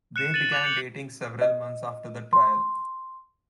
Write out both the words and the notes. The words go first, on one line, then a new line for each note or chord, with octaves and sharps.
They began dating several months after the trial.
F#6 C#7 E7
A6 D#7 F#7
D6 F#6 F7
G6 C#7 F#7
D#5
C6